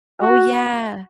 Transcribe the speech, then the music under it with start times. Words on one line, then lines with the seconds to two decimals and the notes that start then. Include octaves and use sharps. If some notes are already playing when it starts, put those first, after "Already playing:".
Oh, yeah.
0.21 F#4